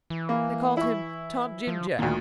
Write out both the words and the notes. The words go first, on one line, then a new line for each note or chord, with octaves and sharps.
They called him Tom-Jim-Jack.
E3
A#3
E4 C#6
F3
D2 A#2 D#3